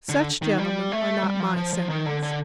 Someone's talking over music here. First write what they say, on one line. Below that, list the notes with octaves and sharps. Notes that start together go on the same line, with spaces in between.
Such, gentlemen, are not my sentiments.
D3
D#3
G3
A3
G3
F3
F3
F3
D#3
D3
D3